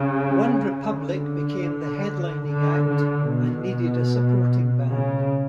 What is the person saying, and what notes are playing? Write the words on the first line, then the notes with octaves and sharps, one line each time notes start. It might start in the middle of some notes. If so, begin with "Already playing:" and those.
OneRepublic became the headlining act and needed a supporting band.
Already playing: C#3
D3
D3
D3
B2
C#3